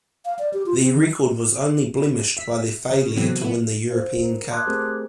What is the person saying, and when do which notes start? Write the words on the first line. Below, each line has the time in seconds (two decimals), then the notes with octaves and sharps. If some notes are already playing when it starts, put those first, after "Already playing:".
Their record was only blemished by their failure to win the European Cup.
0.25 F5
0.39 D5
0.54 G4
0.66 F4
0.80 C4
0.95 D#3
2.38 E5 B6
2.91 C#3
3.16 C3 E3 F#3 B3 C4
3.42 B3 E4
3.91 C5 F5
4.19 A#4
4.51 A5 C6 D6 D#6 F#6 G#6
4.66 A3 C4 G4 G#4 A#4 C5